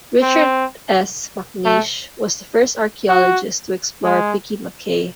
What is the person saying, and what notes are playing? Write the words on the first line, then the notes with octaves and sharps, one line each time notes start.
Richard S. MacNeish was the first archaeologist to explore Piki Mach'ay.
C4
A3
F#4
G#3